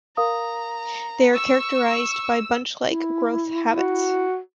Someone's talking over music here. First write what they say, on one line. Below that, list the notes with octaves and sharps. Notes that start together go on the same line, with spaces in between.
They are characterized by bunch-like growth habits.
A#4 F5 A#5 D#6
C#6 E6
E4
F#4